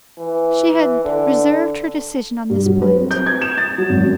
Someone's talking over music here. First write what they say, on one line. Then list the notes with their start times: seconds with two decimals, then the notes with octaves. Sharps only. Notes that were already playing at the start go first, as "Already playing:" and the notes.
She had reserved her decision on this point.
0.18 E3
1.04 D3
2.50 G2
2.66 F#3
2.82 B4
2.96 C4
3.11 G6
3.26 G#6
3.42 E7
3.58 A6
3.78 F#3
3.90 G#1
4.04 F#2